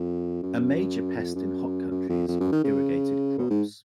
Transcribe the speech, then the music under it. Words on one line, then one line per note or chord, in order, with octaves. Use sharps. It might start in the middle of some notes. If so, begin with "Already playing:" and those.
A major pest in hot countries of irrigated crops.
Already playing: F2
F#2
F2
F#2
F#2
F2
F2
F#2
D#3
C#3
B2
G#2